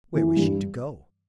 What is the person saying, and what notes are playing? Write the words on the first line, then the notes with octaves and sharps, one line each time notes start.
Where was she to go?
E3
G2